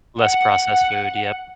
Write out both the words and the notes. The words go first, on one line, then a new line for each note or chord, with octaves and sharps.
Less processed food. Yep.
F#5